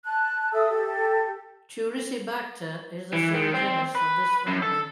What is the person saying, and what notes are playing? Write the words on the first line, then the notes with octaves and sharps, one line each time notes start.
"Turicibacter" is the sole genus of this family.
A5 F#6
A4 E5 D#6 E6
G4 A4
E3
D#3
C4
B4
F#2
A4